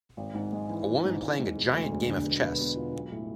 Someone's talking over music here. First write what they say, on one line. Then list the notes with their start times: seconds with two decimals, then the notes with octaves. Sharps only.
A woman playing a giant game of chess.
0.17 G#1
0.34 G#2
0.52 G#3
0.70 E3
0.87 G#1
1.04 G#2
1.21 G#1
1.39 G#3
1.57 E1
1.73 D2
1.91 E1
2.08 D3
2.25 B2
2.42 B3
2.60 B2
2.77 F4
2.94 B1
3.12 A2